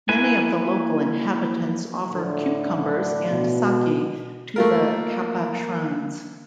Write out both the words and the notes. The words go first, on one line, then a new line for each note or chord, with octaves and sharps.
Many of the local inhabitants offer cucumbers and sake to the kappa shrines.
A#3 E4 B4 G#5
A2 D3
B2
A3 A#3 F4 A#4